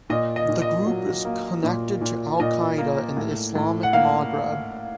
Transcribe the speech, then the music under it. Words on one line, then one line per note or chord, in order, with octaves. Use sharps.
The group is connected to Al-Qaeda in the Islamic Maghreb.
A#2 D#5
D#5
A#2
D#5
F#3
A#3
A#2
A#2
A#2 D#5
A#3
A2
A2
F#5
A#3 F5